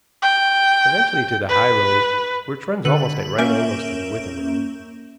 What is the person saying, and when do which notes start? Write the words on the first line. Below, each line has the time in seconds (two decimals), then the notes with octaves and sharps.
"Eventually to the high road, which runs almost at right angles to the Withan road."
0.22 G5
1.49 B4
2.85 D3 A4 B4 F#7
3.38 A#3 C#4 A#4 E5 G6 D7